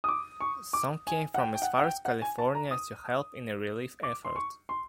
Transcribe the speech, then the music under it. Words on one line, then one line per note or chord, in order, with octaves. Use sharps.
Some came from as far as California to help in the relief effort.
D#6
D6
C#6
D6
G#5
F#5
G5
G5
F#5
F#5
G5
F#5
G#5
A5
A#5
D#6
D6
C6
C#6
C6